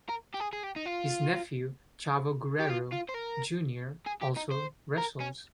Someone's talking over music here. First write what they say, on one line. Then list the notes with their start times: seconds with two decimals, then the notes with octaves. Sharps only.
His nephew, Chavo Guerrero, Junior also wrestles.
0.09 A#4
0.34 G4
0.40 G#4
0.53 G#4
0.63 G4
0.76 D#4
0.86 F4
2.60 G4
2.69 F4
2.92 F4
3.09 C5
3.14 A#4
4.07 G#4
4.22 G4
4.37 D#4
4.52 C5
4.98 A#4
5.20 C#4